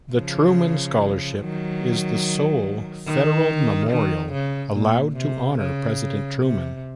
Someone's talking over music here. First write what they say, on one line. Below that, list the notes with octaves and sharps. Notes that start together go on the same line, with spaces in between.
The Truman Scholarship is the sole federal memorial allowed to honor President Truman.
C#3 F3
D#3 F#3
D#3
D#3
C#3
A#2
C3
C#3
C3